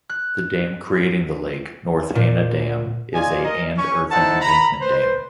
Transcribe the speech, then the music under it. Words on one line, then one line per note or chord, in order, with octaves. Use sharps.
The dam creating the lake, North Anna Dam, is a and earthen embankment dam.
F#6
A#2
F4 D5 D#5 G#5
A#4 D#5
C#4 C#6
D#4 E4 A4 C5 F#5 A5
A#5 B5
B4 C5